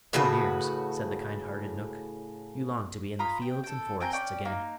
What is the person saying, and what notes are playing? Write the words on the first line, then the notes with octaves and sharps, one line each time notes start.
"Poor dears!" said the kind-hearted knook, "you long to be in the fields and forests again."
A2 C#3 F#4 B4
F4 A#5 B5 D#6
G5
A4 G5
C4 G5 G#5 A#5
C#4 D5 G5
A#3 D#4